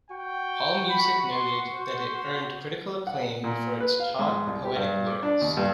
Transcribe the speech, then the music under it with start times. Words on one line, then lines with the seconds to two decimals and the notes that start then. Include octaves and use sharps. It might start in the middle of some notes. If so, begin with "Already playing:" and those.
Allmusic noted that it "earned critical acclaim for its taut, poetic lyrics".
0.10 F#4 G5
0.90 B5
1.31 C6
1.73 C5
3.07 F#5
3.44 A#2
3.80 B4
4.00 F5
4.19 G#2
4.47 C2
4.65 G4
4.76 G2
5.07 D6
5.23 D4
5.41 D#2
5.57 G2